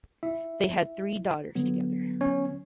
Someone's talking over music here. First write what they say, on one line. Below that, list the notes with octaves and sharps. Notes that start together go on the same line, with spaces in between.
They had three daughters together.
E4 E5
D3 F#3 B3
C#4 C#5